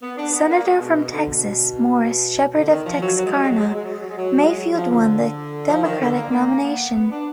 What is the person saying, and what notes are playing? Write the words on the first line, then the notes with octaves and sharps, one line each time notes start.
Senator from Texas, Morris Sheppard of Texarkana, Mayfield won the Democratic nomination.
B3
D4
B3
A#3
G#3
B2
B2
D3
B2
D3
D#3
F3
F#3
F#3
G#3
F#3
G#3
F#3
G#3
F#3
G#3
F#3
G#3
F#3
G#3
F#3
G#3
F#3
F3
D3
F3
D#3
D3
A#3
A#3
B3
B3
D4